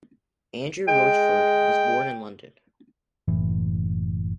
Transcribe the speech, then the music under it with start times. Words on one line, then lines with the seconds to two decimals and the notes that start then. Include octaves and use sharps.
Andrew Roachford was born in London.
0.88 G#3 G5
3.28 F#1 A2 E3